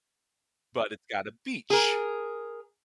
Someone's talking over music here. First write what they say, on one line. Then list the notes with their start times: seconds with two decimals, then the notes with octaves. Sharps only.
but it's got a beach,
1.70 G#4 A#4